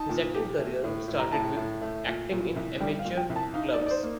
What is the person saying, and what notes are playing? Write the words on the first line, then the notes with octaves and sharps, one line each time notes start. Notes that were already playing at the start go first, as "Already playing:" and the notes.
His acting career started with acting in amateur clubs.
Already playing: D#4 A5
A#2
G4
A3
A2
A2
A#5
A2 A5
A2
A3
A#2
A#2
C2
G3 G5
F5
A#2
G5
C2
A5
D#4 F5
D5
D#4
D5
C5
A#3